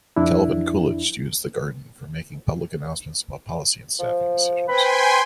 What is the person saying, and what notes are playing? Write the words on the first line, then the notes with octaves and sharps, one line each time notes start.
Calvin Coolidge used the garden for making public announcements about policy and staffing decisions.
F2 D4 E4
F3
C4 B4 G5 G#5 C6